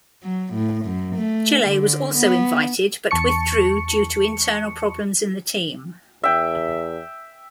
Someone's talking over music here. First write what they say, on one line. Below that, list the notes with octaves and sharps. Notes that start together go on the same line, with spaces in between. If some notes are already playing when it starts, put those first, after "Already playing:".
Chile was also invited but withdrew due to internal problems in the team.
F#3
A2
F#2
A3
D3
B3
E2 A5 C#6 C#7
E2 E5 G5